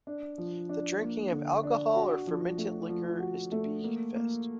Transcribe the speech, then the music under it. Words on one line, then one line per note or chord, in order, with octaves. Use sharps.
The drinking of alcohol or fermented liquor is to be confessed.
D4
F3
D4
A#3
D3
D4
F#4
F3
A3
F3
F#4
A3
A#3
A#3